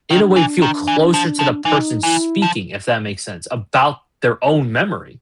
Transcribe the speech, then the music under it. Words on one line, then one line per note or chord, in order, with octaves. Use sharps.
in a way, feel closer to the person speaking, if that makes sense, about their own memory.
D#3 D4
E3
D#3
E3
F3
F3
E3 D#4
E3 E4
F3